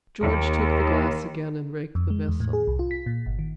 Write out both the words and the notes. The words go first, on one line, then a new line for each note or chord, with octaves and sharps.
George took the glass again and raked the vessel.
D#2
F2
G#3
E2
A2
G#4
C2
F4
B6
A#2
G1
D#3